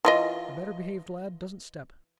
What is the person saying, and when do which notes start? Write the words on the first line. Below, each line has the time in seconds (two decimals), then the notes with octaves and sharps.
A better-behaved lad doesn't step.
0.05 E3 F4 D#5